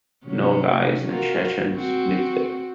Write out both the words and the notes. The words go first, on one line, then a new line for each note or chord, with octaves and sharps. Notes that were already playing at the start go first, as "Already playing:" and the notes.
Nogais and Chechens live there.
C3 F#3 C#4
F4 F#4 A#4
C4 F#4